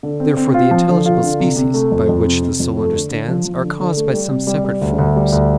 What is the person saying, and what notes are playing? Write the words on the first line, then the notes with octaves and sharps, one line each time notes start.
Therefore the intelligible species, by which the soul understands, are caused by some separate forms.
D3
C4
C4
F4
F3
D3
F4
D3
C3
C3
A3
F2
F2
C3
C3
F2
A3
D3
D3
F3
F3
D3
D3
A3
G3
C3
G3
G3
D2
D2
G3
D2